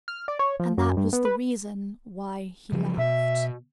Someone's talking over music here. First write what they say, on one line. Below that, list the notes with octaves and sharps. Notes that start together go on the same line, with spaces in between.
And that was the reason why he laughed.
F6
D5
C#5
F3
F#2
G2
B3
B4
C#3 F3 F#3
B2 E5